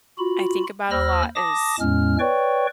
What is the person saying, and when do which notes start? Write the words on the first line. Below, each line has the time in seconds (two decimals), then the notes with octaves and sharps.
I think about a lot is,
0.18 F4 F#4 B5
0.91 D#2 C5 B5 E6 F6 A#6
1.36 A5 D6 D#6 A#6
1.80 E2 A2 G#3 C#4 F6
2.19 B4 C#5 D5 G5 C#6